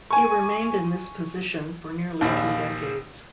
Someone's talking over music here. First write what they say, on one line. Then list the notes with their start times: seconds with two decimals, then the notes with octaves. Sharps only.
He remained in this position for nearly two decades.
0.11 G#5 C#6
2.21 A#1 D#2